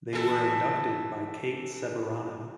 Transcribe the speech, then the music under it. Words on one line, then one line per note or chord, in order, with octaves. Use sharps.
They were inducted by Kate Ceberano.
E3 A4